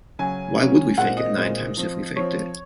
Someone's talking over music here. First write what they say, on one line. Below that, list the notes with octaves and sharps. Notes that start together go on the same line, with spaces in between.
Why would we fake it nine times, if we faked it?
C#3 F#3 C#4 G#5
C#3 F#3 C#4
A#2 G#3 C4 F#5
D#5
A#2 G#3 C4
F3 C4
F3 C4 C#5